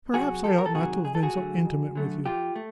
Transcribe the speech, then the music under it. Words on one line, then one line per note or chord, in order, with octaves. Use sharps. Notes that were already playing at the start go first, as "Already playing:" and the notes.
Perhaps I ought not to have been so intimate with you.
C3 D#3 F#3 F#4 G#4
F2 G4 A4
A#4
A4
C3 D#3 F#3 F#4 G#4
F2 G#4
A4
F#4 G#4
D3 F#3 A3
F2
D3 F#3 A3
F2 F4 G4
A3